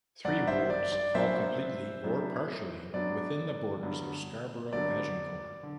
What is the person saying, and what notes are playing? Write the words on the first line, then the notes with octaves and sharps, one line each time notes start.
Three wards fall completely or partially within the borders of Scarborough-Agincourt.
F#2 F#3 B3 D4 D5 F#5
C5 E5
D5
D5
F#2 F#3 B3 D4 C5 E5
F#2 F#3 B3 D4
F#2 F#3 B3 D4 D5
G2 D3 F#3 B3
G2 D3 F#3 B3 D5
D3